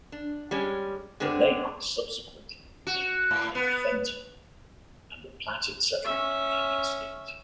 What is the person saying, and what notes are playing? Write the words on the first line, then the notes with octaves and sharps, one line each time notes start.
The lake was subsequently renamed "Lake Fenton", and the platted settlement became extinct.
D4
G3 G#3 C#4
D3 G#3 B3 C4 D4
F#4
A2
B3
C#4 E5